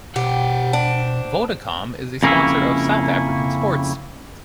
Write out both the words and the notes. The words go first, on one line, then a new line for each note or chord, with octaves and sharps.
Vodacom is a sponsor of South African sports.
B2 G4 C5 F#5 G5
D4
F2 C#3 A#3 B3 C#4 E4